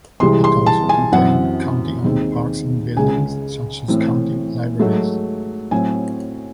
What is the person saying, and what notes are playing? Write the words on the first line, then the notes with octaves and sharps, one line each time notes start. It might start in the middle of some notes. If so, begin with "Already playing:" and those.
It also maintains County-owned parks and buildings such as County libraries.
C2 C3 E3 G#3 C4 C6
C6
A5
G#5
F#2 E3 C4 F#5
D#2 D#3 G#3 C4
C#2 C#3 G#3 G#5
A2 E3 C4
G#2 F#3 A3
A2 F#3 C4 G#5